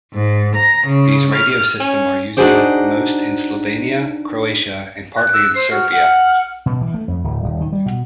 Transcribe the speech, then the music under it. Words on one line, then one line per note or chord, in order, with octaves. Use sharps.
These radio system are using most in Slovenia, Croatia and partly in Serbia.
G#2
A#5
C#3
F6
C#4
D4 D#4 F#4 G#4 C5 D5
F#6
E6
C5 C7
F#4 F6
F#5
B2
E3
A3
F2
D1
D#1
D#3
G3
B2